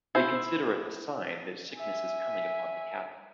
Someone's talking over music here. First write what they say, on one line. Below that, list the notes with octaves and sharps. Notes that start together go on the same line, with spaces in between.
They consider it a sign that sickness is coming upon the cattle.
E4 C5
E5 G#5